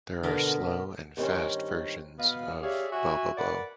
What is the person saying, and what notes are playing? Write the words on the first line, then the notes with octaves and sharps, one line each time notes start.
There are 'slow' and 'fast' versions of Bobobo.
B2 D3 B3 A#4
G2 D#3 C4 C#4
B2 B3 D#5 F5
G4 G#4 C#5 D5 E5 F5
F#4 E5 G#5
A#4 B4 D5 F#5